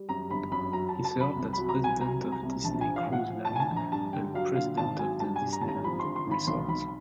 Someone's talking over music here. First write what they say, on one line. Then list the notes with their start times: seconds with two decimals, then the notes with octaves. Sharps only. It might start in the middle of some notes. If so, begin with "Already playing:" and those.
He served as president of Disney Cruise Line and president of the Disneyland Resort.
Already playing: G3
0.09 F#2 A#5
0.30 G1 B5
0.52 F#2 B5
0.73 F#3 A#5
0.89 A5
0.94 F#3
1.04 A5
1.15 F#2 B5
1.37 C2
1.53 B5
1.58 F#3
1.69 A#5
1.79 C2 G#5
2.01 F#3 A#5
2.22 C2
2.32 A#5
2.43 C2
2.64 A#1 A5
2.81 G#5
2.85 F3
2.96 F5
3.06 A2
3.13 F#5
3.29 F3
3.45 A5
3.49 A2
3.56 G#5
3.60 A5
3.71 A#1
3.76 A#5
3.92 G2 A5
4.13 D3 G5
4.34 F#3 F5
4.55 D3 F5
4.77 G#1 A5
4.98 F#3 G#5
5.20 G2 A5
5.36 G#5
5.41 G2
5.52 A#5
5.61 G#1 A5
5.68 A#5
5.84 F3 B5
5.99 C6
6.05 D3
6.16 C6
6.27 G#1 B5
6.47 B1 C6
6.68 B1 B5